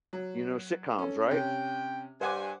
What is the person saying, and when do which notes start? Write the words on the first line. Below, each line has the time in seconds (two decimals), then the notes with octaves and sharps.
You know, sitcoms, right?
0.13 F#3
0.98 C#4 A4
1.31 C3 C#4 G5
2.21 G2 C5 F#5 G#5 D6